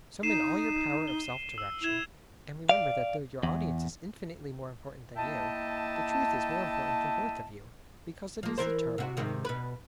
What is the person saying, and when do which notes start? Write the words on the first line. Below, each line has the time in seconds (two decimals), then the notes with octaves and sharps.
Summon all your power of self-direction, and remember that though your audience is infinitely more important than you, the truth is more important than both of you, because it is eternal.
0.23 D#4 C7 D#7 E7
1.08 G7
1.58 E6
1.82 E4 G#6 E7 F7
2.69 D5 F5
3.43 E2
5.16 A#3 E4 D#5 E5 G5 A5
8.43 F3 A#3
8.58 E3 A#4 C5
8.98 C3 F#4
9.17 G#2 C3 D#3
9.45 B2 B4